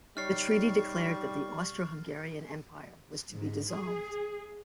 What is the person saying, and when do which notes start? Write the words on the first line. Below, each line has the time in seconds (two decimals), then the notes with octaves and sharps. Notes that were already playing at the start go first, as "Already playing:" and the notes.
The treaty declared that the Austro-Hungarian Empire was to be dissolved.
0.17 G3 D#4 C#5 C#6 F6 A6 C7
3.32 G#2
3.73 G#4